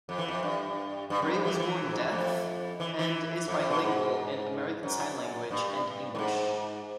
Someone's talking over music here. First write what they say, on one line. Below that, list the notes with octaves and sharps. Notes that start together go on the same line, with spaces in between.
Bray was born deaf and is bilingual in American Sign Language and English.
F2
E3
F2
G2
G2
F#2
F2
E3
F2
E3
A2
G#2
G2
F#2
F2
E3
E3
F2
F2
B2
G#2
F#2
G2
A2
G#2